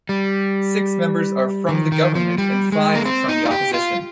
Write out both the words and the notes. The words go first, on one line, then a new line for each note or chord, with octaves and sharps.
Six members are from the Government and five from the Opposition.
G3
D#3
D#3
F3
G3
G#3
A#3
C4
D#4
F4
G4
F4